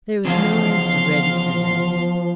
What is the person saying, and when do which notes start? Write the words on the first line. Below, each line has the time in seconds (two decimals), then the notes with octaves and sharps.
There was no answer ready for this.
0.25 E2 C#3 F3 F5 C6